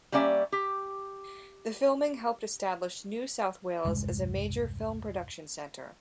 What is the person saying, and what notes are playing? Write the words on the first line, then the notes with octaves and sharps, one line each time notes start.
The filming helped establish New South Wales as a major film production center.
G3 A#3 C#4 D5 E5
G4
E1 C2 G2 G#3